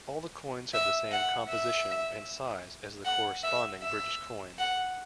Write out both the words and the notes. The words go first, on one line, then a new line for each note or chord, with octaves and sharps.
All the coins have the same composition and size as the corresponding British coins.
E5
F#5
E5
F#5
E5
E5
F#5